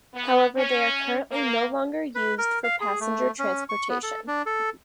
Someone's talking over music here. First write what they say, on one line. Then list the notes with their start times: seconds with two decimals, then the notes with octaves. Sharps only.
However, they are currently no longer used for passenger transportation.
0.14 B3
0.57 C#4
1.31 A#3
2.15 B4
2.38 A#4
2.64 F5
2.81 G#4
3.00 A3
3.39 C#4
3.69 C#6
3.89 B3
4.03 A4
4.27 D4
4.46 A4